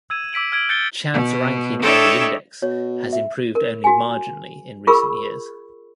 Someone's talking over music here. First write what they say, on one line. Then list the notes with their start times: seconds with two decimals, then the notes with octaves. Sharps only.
Chad's ranking on the index has improved only marginally in recent years.
0.10 E6 G#6 D#7 E7
0.33 D6 E6 B6 D7 F#7
0.52 F6 G#6 D7
0.69 G6 A6 C#7 D7 G7
1.12 B2
1.81 D4 E4 A4 C#5 D#5 G5
2.62 B2 C#5
3.13 E5
3.55 A#4
3.84 F#4 G#5
4.87 F4 G#4 A#4 B5 C#6 E6